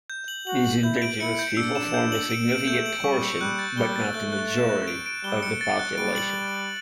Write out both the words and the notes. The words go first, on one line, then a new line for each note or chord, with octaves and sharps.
These indigenous people form a significant portion, but not the majority, of the population.
G6
F#7
F#4 F#7
F#7
E4 G6
D7
E4 C#7
G6
D4 E6
E7
G6
F#7
D7
D7
A3 G6
F#7
G3 C#6
C#7
G3 F#6
A6
G3 G7
A6
A3 F#6
F#6
E7
F#6
D7
D7
G3 G7
C#7
A6
F#6
G3 D7
F#7